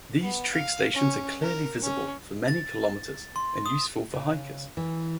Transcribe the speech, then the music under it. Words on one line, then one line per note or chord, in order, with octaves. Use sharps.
These trig stations are clearly visible for many kilometres and useful for hikers.
B3
F5
C#4
A#4
C#4
A6
C6
D#6
C#3
E3